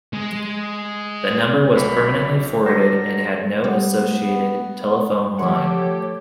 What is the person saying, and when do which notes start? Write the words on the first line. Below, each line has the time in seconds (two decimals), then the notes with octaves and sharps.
The number was permanently forwarded and had no associated telephone line.
0.13 G#3
1.75 B1 B2 B5
2.66 G2 F#3 A4 C5 A#6
3.64 G3 B3
5.38 F3 A3 G4 A4 C#5 F#5